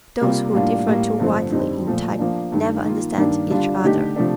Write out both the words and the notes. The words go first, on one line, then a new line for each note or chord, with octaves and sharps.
Those who differ too widely in type never understand each other.
C3 G3 A#3 F4
A2 G3 A#3 D4 F4
A2 G3 A#3
G2 D3 F3 A3 C4
F2 D3 G3 C4 D#4
A#2 F3 A3
F3 A#3 D4
G2 D#3 A3
D#3 A#3 F4
G2 D#3 A#3 D4
D3 G3 D4 F4
D3 A3 D#4 G4
C3 F3 A3 D4